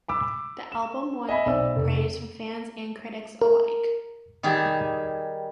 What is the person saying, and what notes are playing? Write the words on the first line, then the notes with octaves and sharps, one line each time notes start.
The album won praise from fans and critics alike.
B5 D6 E6
E7
D#5 E5 G#5 B5
B1 C4 D5 E5 E6
F1
A#4
D#3 G3 G4 G#4